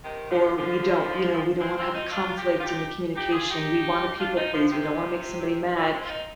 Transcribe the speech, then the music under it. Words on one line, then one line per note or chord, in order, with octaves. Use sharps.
or we don't you know, we don't wanna have a conflict in the communication, we wanna people please, we don't wanna make somebody mad,
C3 D#3
D3 F3
D3 F3
G#3 C4
G#3 C4
C4 D#4
D4 F4
D#4 G4
F4
D#4 G4
D#4 G4
F4 G#4
D#4 G4
D4 F4
C4 D#4
D3 F3
C3
D3
G#3 C4
F4
C4 D#4